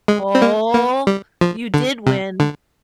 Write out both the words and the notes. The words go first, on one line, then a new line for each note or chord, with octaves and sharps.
Oh! You did win.
G#3
C4
A#3
A#3
G3
F3
D3
C3
D3